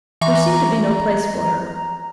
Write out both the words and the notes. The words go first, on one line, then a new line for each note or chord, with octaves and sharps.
There seemed to be no place for her.
E3 E5 A#5 C#6